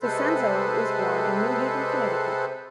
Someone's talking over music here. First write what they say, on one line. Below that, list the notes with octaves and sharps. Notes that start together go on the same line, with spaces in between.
DiCenzo was born in New Haven, Connecticut.
C3 G#3 A4 B4 C5